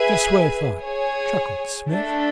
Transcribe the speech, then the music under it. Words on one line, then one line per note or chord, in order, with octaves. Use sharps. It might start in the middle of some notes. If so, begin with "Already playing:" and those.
"Just what I thought!" chuckled Smith.
Already playing: G#4 B4 E5 G#5
G#4 C#5 G#5
A3 D4 A4